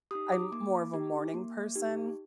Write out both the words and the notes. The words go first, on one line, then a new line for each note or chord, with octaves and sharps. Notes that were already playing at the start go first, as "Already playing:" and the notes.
I'm more of a morning person
D#4 G4 D#6
D6
A#3 D6
D#4 G4
A#3
D#4 G4